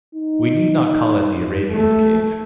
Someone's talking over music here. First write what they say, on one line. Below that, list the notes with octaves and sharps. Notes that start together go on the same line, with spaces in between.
We need not call it the Arabian's cave.
D#4
A3